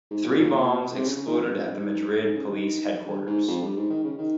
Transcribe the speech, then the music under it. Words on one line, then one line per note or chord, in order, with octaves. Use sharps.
Three bombs exploded at the Madrid police headquarters.
G#2
A#2
A#2
C3
C#3
C#3
D#3
F2
G2
F2
G2
G#2
G#2
C#3
D#3
G2
G#2
F2
G2
G#2
D#3
C#3
D#3